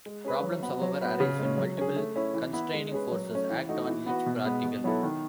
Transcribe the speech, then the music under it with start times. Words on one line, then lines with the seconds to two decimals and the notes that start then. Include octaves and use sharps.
Problems, however, arise when multiple constraining forces act on each particle.
0.06 G#3
0.25 C#4 G#4 B4
0.43 F#3
0.62 B3 F#4 B4
0.81 F#3
1.01 B3 F#4 B4
1.20 C#3
1.39 G#3 C#4
1.58 F#3
1.78 C#4 G#4
1.96 A3
2.16 C#4 E4
2.34 E3
2.53 B3 E4
2.74 G#3
2.92 C#4 G#4 B4
3.11 F#3
3.30 A3 C#4
3.50 E3
3.69 A3 D#4 F#4
3.87 E3
4.06 B3 F#4 B4
4.26 B2
4.45 G#3 B3
4.64 B2
4.84 F#3 B3 E4 A4
5.03 D#3